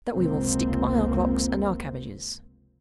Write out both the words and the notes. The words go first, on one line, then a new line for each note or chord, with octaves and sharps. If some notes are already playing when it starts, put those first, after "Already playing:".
"That we will stick by our clocks and our cabbages."
F1 C#2 A#3 C4